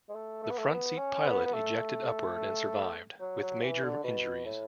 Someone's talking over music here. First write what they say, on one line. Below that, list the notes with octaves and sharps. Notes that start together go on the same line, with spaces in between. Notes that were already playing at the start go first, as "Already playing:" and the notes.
The front-seat pilot ejected upward and survived, with major injuries.
G#3
A3
A3
B3
A3
B3
C#4
B3
B3
A3
F#3
F#3
E3
D3
B2
A2